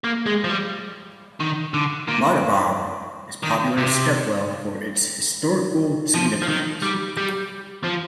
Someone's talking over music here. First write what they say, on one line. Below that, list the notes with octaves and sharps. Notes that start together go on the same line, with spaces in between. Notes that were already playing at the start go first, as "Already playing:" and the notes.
Madhavav is popular stepwell for its historical significance.
A#3
G#3
F3
G3
D#3
D3
A#2
D#3
C3
F3
F3
D#3
G3
G3
F3